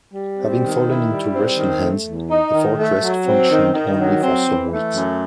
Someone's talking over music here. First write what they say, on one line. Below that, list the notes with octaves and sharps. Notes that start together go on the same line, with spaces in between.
Having fallen into Russian hands, the fortress functioned only for some weeks.
G3
C4
D#3
E4
G3
C4
D#3
A3
E2
D#4
D#3
A3
F#3
C4
D#3
D#3
F#3
C4
E3
A3
F#2